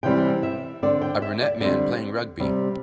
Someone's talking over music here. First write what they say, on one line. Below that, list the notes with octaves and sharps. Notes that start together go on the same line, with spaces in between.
A brunette man playing rugby.
C3 E3 G3 C4 G5
E5
D3 C4 D5
G5
E5
D5
D3 G3 C4
C3 G3 C4